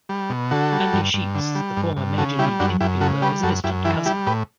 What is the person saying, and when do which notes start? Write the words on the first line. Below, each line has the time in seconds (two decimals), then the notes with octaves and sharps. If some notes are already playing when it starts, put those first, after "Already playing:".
Andy Sheets, the former major league infielder, is a distant cousin.
0.09 G3
0.30 B2
0.51 D3 F#4 A4
0.72 G3
0.93 G2
1.14 G2
1.35 D3
1.55 G3
1.77 G2
1.97 G2
2.18 C#3 F#4 A4
2.39 G3 E4 G4
2.60 F#2 D4 F#4
2.81 F#2 E4 G4
3.01 C#3 F#4 A4
3.22 G3 G4 B4
3.43 F#2 F#4 A4
3.64 F#2 E4 G4
3.85 E3 E4 G4
4.05 G3 E4 G4
4.27 A2 G4 B4